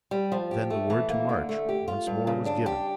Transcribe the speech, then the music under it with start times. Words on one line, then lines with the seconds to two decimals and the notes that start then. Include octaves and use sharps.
Then the word to march once more was given.
0.11 G3
0.32 F3
0.51 G4
0.70 A3
0.90 E3
1.10 A#3
1.29 D3
1.49 A3
1.69 G4
1.88 F4
2.07 G2
2.27 C#3
2.46 D4
2.66 G4